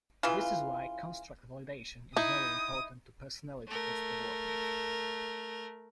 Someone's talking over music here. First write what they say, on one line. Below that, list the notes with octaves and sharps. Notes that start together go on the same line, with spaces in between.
This is why construct validation is very important to personality test development.
C#3 E3 F4
D#4 E4 D#6
A3 A#4